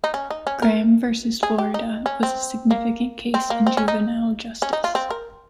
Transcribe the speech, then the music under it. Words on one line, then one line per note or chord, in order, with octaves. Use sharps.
"Graham versus Florida" was a significant case in juvenile justice.
D#4
C#4
D#4
C#4
A#4
G#4
G4
D#4
C#4
C4
A#3
C4
A#3
C4
C#4
D#4
C#4
D#4
F4
C4
A#4